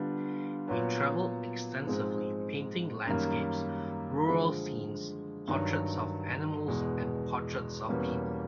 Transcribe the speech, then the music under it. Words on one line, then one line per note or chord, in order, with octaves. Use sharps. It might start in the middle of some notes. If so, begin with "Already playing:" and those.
He traveled extensively painting landscapes, rural scenes, portraits of animals, and portraits of people.
Already playing: D3 G3 B3 D4 F4
A#2 F#3 B3
G#2 F3 G#3 C4
F#2 D#3 G3 A#3
D3 F3 G#3
G2 D#3 F#3
E2 B2 G#3
E2 B2 G3 A#3 C#4